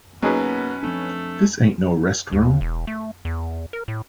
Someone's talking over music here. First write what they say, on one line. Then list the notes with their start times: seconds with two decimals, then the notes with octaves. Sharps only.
This ain't no rest-room.
0.22 B2 F#3 A#3 C#4 D#4 G#4 B4
0.83 F3 A3 C4 D4
2.32 D#2
2.61 E1
2.87 A3
3.25 E2
3.73 A#4
3.88 A2